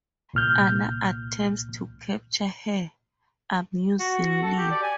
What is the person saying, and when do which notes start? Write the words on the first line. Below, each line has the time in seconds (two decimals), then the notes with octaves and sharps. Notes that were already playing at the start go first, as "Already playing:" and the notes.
Anna attempts to capture her, amusing Lee.
0.34 C2 A#2 F6 G6
4.00 F#4
4.26 F#4
4.43 A4
4.58 G4
4.71 D5
4.83 G#5